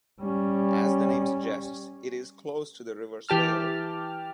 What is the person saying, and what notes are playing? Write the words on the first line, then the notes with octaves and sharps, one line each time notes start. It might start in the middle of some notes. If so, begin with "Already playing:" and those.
As the name suggests it is close to the River Swale.
G3 C#4
E3 G4 A5 F6